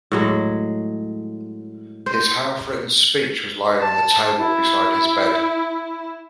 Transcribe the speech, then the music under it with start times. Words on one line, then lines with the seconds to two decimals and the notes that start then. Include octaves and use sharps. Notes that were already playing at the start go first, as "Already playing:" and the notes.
His half-written speech was lying on the table beside his bed.
0.12 A2 F#3 G#3
2.06 C5
3.79 A5
4.39 E4